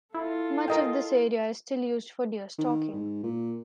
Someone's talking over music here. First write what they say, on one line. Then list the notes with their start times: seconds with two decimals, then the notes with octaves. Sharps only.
Much of this area is still used for deer stalking.
0.14 E4 F4 A4
0.68 A#4 D#5 G5
2.58 D#3
2.93 G#2
3.23 A#2